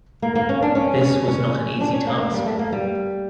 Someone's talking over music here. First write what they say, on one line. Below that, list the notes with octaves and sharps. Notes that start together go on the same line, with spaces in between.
This was not an easy task.
A#3
A#3
C#4
D4
C#4
C#4
C#4
D4
C#4
A#3
A#3
G3
A3
A#3
G3